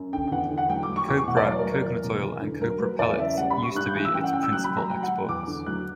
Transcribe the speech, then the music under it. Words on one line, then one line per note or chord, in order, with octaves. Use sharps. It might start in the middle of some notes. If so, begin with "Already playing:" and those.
Copra, coconut oil and copra pellets used to be its principal exports.
Already playing: F#2
D3 G5
G5
E2 F#5
D3
F#5
F#3 G5
D6
F#3
C#6
E2 D6
C#6
B2 F#5
D5
F#3 C#5
A#4
F#3
A#4
E2
B2
E2
D3
F#3 A#4
F#3 B4
E2 D5
C#3 E5
G3 F#5
B5
G3
C#6
G2 F#6
G6
E3 F#6
E6
F#2 G5
F#5
C#3 G5
E6
F#3 F#6
B5
F#3
A#5
F#3 G5
F#5
F#3
E2 D6
D3
F#3 F#6